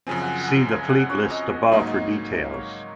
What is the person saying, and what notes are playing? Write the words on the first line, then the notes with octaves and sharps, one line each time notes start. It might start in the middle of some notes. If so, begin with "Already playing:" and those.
See the Fleet List above for details.
F#2 C#3 F3 C4 G#5
F#5
G#5
F#5
G#5
G#5
F#5
C#5
D#5
G#2 F#3 A#3 D#4 D#5
C#5